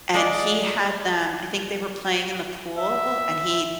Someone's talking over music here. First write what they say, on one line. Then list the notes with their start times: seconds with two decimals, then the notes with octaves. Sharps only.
and he had them I think they were playing in the pool, and he
0.14 G#3 D5
2.78 E5